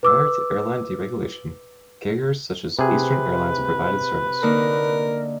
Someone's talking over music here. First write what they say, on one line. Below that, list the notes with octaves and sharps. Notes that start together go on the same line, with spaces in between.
Prior to airline deregulation, carriers such as Eastern Airlines provided service.
B4 D6 E6
C3 G#4 B4
D3 A#3 D#4 A#4